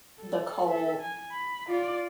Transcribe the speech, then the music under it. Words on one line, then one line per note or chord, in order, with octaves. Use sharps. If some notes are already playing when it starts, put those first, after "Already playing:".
The cold.
A4
A4 E5
G#5
B5
F4 D5